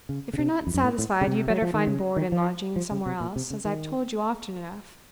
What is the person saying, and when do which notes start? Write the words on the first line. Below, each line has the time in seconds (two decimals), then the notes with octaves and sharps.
If you're not satisfied, you'd better find board and lodging somewhere else, as I've told you often enough.
0.09 C#3
0.33 C#3
0.39 C3
0.67 F2
0.74 F#2
0.83 A2
0.98 A2
1.21 C#3
1.27 C3
1.50 F#3
1.62 F3
1.74 D#3
1.87 C#3
2.16 D#3
2.32 F3
2.76 F3
2.91 C#3
3.06 C3
3.20 A#2
3.36 C3
3.50 C#3
3.65 D#3